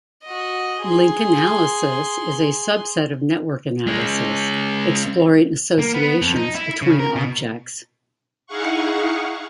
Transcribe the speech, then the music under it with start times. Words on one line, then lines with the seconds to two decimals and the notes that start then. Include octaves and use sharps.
Link analysis is a subset of network analysis, exploring associations between objects.
0.23 F#4 D#5
0.82 G#4 C6
3.87 G#3 C#4
5.79 A#3
5.94 B3
6.22 F2
6.35 D#4
6.55 E4
6.82 C#3
7.00 A#4
7.16 B2
8.47 D#4 E4 G#4 F5 F#5 C#6